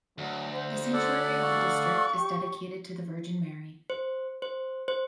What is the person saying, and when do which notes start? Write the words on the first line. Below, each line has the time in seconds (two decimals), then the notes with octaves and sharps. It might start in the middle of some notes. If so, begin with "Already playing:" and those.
The sanctuary of the district is dedicated to the Virgin Mary.
0.18 D2 F#3
0.53 C5
0.93 A4 D5 F#5
1.42 F5 C#6
2.17 G4
3.90 C5
4.42 C5
4.88 C5